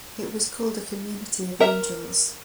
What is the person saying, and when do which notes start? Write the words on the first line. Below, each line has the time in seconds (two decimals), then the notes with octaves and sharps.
It was called "A Community of Angels".
1.60 A#4 E5